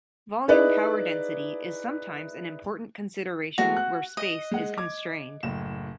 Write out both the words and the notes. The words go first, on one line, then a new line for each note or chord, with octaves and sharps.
Volume power density is sometimes an important consideration where space is constrained.
D#4 E4 G#4 B4 D5 D#5
G#3 A3 B3 F#4
F#6
D#5
G#3 F#5
D6 G#6
F#1 A2 E7